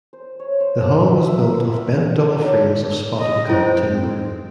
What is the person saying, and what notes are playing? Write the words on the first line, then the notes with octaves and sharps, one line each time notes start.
The hull was built of bent double frames of spotted gum timber.
C5
C#5
C5
A3
E5
E5
A#4
B4
B5
F#5
D4
F#3
D#5
E4 C5 G5
C4